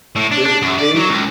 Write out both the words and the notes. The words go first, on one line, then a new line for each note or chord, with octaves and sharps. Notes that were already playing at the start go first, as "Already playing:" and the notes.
this big
A2
D4
D4
F#2
D5
F#3
C#2